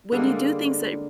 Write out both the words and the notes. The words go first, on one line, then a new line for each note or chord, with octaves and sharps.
when you do things that
D3 G3 G#3 A#3